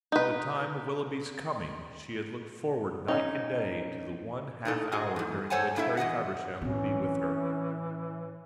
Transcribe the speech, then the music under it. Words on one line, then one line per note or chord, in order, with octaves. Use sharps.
From the time of Willoughby's coming she had looked forward night and day to the one half-hour during which Harry Feversham would be with her.
D#4 B4
C#4 D#4
A2 D#4 A4
F#4 G#4 D#5
E2 G#2
A4 C5 C#5 F#5 G#5 A5
G2 A#3 E4 A4 E5
E2 B3 D#5 F#5
A2 E3 C4 C#4